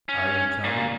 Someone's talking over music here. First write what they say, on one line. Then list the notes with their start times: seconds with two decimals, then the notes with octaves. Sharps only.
"Are you coming?"
0.09 C#4
0.64 A#2